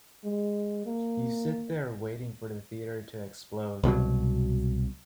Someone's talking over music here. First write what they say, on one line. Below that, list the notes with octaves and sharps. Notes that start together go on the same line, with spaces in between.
You sit there waiting for the theatre to explode.
G#3
A#3
C2 B2 F3 F#3